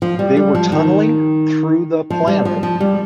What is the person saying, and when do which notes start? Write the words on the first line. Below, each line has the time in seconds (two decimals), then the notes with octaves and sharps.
they were tunneling through the planet
0.02 F3
0.19 G3
0.37 G3
0.55 F3
0.72 D#3
2.10 F3
2.27 G3
2.45 F3
2.63 F3
2.80 G3